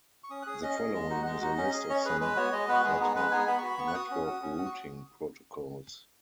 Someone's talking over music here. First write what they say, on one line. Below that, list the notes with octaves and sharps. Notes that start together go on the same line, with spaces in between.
The following is a list of some ad hoc network routing protocols.
C#6
C#4 D#6
F#6
G#4 D#6
C#4 D#5
G#4
G#3
D#4 F#4
F#5
G#3 D#5
D#4 F#4
C#4
G#4
C#4 C#5
G#4 B4
G#3 B4
B3 F#4 C#5
G#3 D#5
B3 F#4 B4
G#3 G#4
B3 D#4 G#4
G#3 B4
B3 D#4 G#4 G#5
B3 B5
C#6
F#4 B5
B3 C#6
F#6
F#4 D#6
C#4
F#4
C#4
F#4
C#6